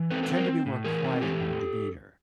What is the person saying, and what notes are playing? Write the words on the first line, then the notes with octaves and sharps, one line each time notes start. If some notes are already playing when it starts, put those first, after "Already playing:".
tend to be more quiet in their demeanor,
Already playing: E3
C4 A4 B4
A4 B4
C4
A#4 C5
C4
A2
E3 G#4 A#4
C4
E3 G4 A4
A2